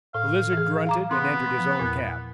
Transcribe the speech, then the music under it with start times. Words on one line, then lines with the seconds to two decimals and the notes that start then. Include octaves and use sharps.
The Lizard grunted and entered his own cab.
0.14 A2 F5
0.53 E3 G#4
0.87 F5 A#5 D6
1.11 B3 C4 C6
1.59 F3
1.79 E2 A#2